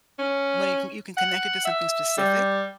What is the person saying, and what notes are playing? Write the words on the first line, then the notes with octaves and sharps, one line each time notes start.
when you can you can connect it to something specific,
C#4
F#5
E5
G3